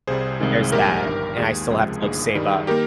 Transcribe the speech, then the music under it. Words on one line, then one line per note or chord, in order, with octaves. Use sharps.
there's that, and I still have to, like, save up.
C2 C3 G3 G#4 C5
C2 C3 D#3 G#3
A#1 G#2 G3 A#3 G4 A#4
G1 G2 D#3
D#2 D#3 G#3 G#4
C#2 C3 F3 G#3
G1 G2 D#3 A#3 G#4
G2 D#3 G3
D#3 A#3 G4 A#4